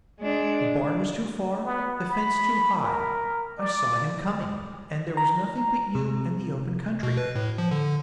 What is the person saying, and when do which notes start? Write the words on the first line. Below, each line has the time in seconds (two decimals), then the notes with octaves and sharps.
The barn was too far, the fence too high; I saw him coming, and there was nothing but you and the open country.
0.20 G#3 D4
1.65 B3
2.09 B5
2.82 A#4
3.58 D5
5.17 A#5
5.95 C3
7.03 B2
7.17 B4
7.36 A2
7.58 F3
7.71 D3